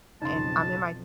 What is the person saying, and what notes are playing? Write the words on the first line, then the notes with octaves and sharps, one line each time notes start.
and I'm in my
B1 F2 C#3 D#4 A5 C6